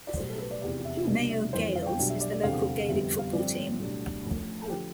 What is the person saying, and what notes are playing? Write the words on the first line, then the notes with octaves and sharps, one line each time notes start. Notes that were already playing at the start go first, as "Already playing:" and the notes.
Mayo Gaels is the local Gaelic football team.
D5
B1 A2 G3 C5
A4
B4
D5
F1 E2 C3 E3 D5
E5
C2 B2 B3 D4
E5
G1 F2 E3 C5
F5
G5
B1 B2 G3 D4
E5
D5
D5
F1 E2 D3 G3 C4 F5
G1 F2 C3 G3 B3 E5
F5
G2 D3 F3 C4 D5
B1 A2 G3 D4
A1 A2 F3
D3 F3 G4